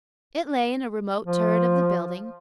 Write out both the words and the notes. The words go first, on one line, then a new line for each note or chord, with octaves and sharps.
It lay in a remote turret of the building.
F3